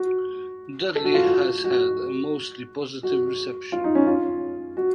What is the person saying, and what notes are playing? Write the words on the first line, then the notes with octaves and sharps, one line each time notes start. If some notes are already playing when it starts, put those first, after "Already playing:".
Dudley has had a mostly positive reception.
Already playing: F#4
A4
F#4
F4
F#4
F#4
F#4
F4
D#4
C#4
F4
F#4